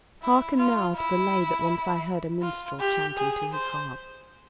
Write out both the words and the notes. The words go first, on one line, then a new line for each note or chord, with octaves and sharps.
Hearken now to the Lay that once I heard a minstrel chanting to his harp.
E4
F4
E4
F4
G4
G#4
C5